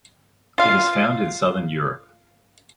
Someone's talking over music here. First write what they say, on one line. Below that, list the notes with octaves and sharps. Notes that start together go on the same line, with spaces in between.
It is found in southern Europe.
F4 F5